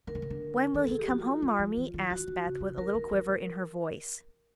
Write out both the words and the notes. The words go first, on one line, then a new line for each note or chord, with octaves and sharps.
"When will he come home, Marmee?" asked Beth, with a little quiver in her voice.
D#3 A#4
D3
C#3
D3
D#3 A4
D#3 E3 G#4
G4
F3 F#4
F4
F#3
F3
E3
D#3
E3 F#4
D#3
C#3
C#3
D3 A#4
D#3
E3
D3